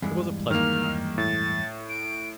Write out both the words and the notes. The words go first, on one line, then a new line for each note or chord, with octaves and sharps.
It was a pleasant time.
E2 G2 G#3
D#3 A#3 F6
A2 A6
D7